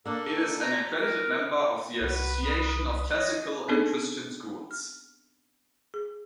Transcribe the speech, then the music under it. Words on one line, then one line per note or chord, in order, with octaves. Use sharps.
It is an accredited member of the Association of Classical and Christian Schools.
A#3 D4 A4
A#5
A#4
C2 F#4 B4
D#6
C#5 D#5
B3 C4 D4 D#4 G#4 A4
F6
G#4